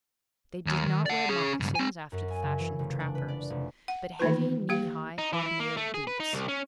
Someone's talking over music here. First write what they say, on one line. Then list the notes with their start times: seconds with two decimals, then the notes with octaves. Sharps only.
They did not wear moccasins after the fashion of trappers, but heavy, knee-high, hobnailed boots.
0.66 D#2
0.87 D#3
1.06 D5 F#5
1.29 C#4 G#4
1.60 C#2 G2
1.75 C4 G#5
2.12 F#2
2.30 G#5
2.42 C#3
2.60 E3
2.79 F1
3.00 D4
3.15 B4
3.28 D5
3.50 F1
3.88 F#5
4.19 D#3 E3 A#3 D#4 F4 B4
4.69 A#3 G4 F5
5.18 D#4
5.33 E3
5.46 E4
5.60 A#3
5.77 A3
5.94 G#4
6.07 B4
6.20 D#4
6.33 C2
6.48 C#4